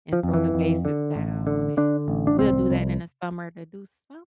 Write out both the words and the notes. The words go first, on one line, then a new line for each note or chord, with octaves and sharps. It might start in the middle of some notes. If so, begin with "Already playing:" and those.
and throw the bases down, and we'll do that in the summer to do some
F3
F2
E3
F2
D3
A1
D3
D3 D4
A1
D4
C2 C4
C2